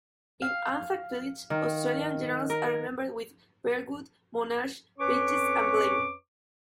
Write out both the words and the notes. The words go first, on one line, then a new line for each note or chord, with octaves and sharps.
In Anzac Village, Australian Generals are remembered with Birdwood, Monash, Bridges and Blamey.
F5
D#3
A#4
F2 C#4 B4 C#5 C#6 D6